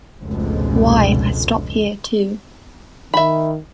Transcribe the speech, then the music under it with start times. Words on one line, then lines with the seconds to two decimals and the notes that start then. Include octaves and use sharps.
Why, I stop here too.
0.24 F1 C#2 G#2 B2 D3 G#3
3.14 D#3 E5 B5